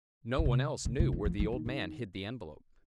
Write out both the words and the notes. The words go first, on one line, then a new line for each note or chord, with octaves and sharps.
No one else knew where the old man hid the envelope.
C#3
C3
C#3
C#3
D#3
F3
F3
D#3
D#3